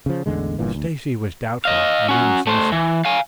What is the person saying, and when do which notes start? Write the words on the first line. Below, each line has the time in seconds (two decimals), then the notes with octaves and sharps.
If Stacy was doubtful he did not say so.
0.06 C#3 F3
0.26 A1 E2 D3 G#3
0.59 G1 G2 A#2 E3
0.75 D2
1.65 D#5 F5
2.09 C#4 F#4
2.47 A3 C5
2.72 E3
3.05 F5 G#5